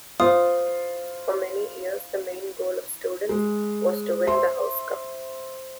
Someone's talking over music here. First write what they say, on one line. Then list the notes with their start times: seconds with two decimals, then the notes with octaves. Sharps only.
For many years the main goal of students was to win the house cup.
0.20 F4 C5 D#6
3.29 G#3
4.26 C5 E5 C6